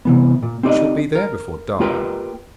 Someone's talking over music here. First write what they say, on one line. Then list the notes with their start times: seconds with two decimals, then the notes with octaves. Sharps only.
'We shall be there before dark.'
0.05 C3 E3 B3
0.43 A#2
0.63 C4 D#4 G4 B4 D5 D#5
1.15 A#4
1.80 A#3 F4 G4 A#4 B4